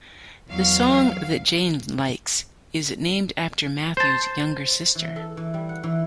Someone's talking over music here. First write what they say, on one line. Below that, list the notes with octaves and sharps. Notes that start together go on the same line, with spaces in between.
"The Song That Jane Likes" is named after Matthews' younger sister.
E2 F#3 F5
C5 A5
E3
A4
E3
G3
F#5
E3